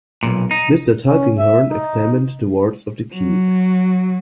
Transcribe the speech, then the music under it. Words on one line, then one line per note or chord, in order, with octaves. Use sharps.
Mr. Tulkinghorn examined the wards of the key.
B1 F#2 A#2
D#4
C#4
E5
D#4
F#3